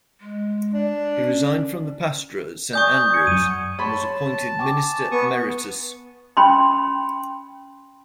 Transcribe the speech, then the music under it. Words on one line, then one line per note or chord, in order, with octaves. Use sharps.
He resigned from the Pastorate at Saint Andrew's, and was appointed minister Emeritus.
G#3
D4
C#4
D5 G#5 C#6 D#6 G6
G#6 C#7
F#2 F#3 D#7
C#5 A5 B5 C6
G#5 C#6 D6
B3 C#6 D#6
C#4 G5 B5 C6